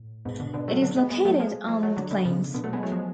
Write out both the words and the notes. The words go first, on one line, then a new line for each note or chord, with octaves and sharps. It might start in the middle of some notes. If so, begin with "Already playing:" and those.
It is located on the plains.
Already playing: A2
G#2 B2
B2 D3
B2 D3
F#3 A3
D3 F#3
G#3 B3
G#3 B3
F#3 A3
F3 G#3
F3 G#3
F#3 A3
D3 F#3
B2 D3
C#3 F3
B2 D3
F#3 A3
G#3 B3
F#3 A3
F3 G#3